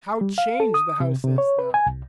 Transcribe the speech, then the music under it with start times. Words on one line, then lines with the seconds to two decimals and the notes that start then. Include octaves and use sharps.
How changed the house is, though!
0.21 G3
0.38 F5
0.60 A4
0.74 D#6
1.00 C3
1.24 C3
1.38 C#5
1.59 B4
1.74 G#5
1.86 C2